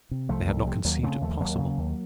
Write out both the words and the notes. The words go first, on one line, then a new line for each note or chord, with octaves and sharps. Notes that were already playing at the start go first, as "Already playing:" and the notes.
They had not conceived it possible.
C3
C2 F3 A3
C2
C3
D#2 F#3 A#3
C#3 A3 C4
D#2 F3 A3
D#2 F#3 A#3
C#3
D#2